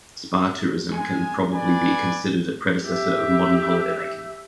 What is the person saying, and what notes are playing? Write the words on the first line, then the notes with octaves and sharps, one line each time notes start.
Spa tourism can probably be considered a predecessor of modern holidaymaking.
G#3 G#5
B4 D5 G#5
G4 E5